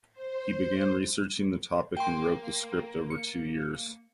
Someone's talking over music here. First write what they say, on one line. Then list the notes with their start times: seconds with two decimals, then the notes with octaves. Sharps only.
He began researching the topic and wrote the script over two years.
0.12 C5
0.52 C5
1.97 A#3 G5 C6
3.10 C#7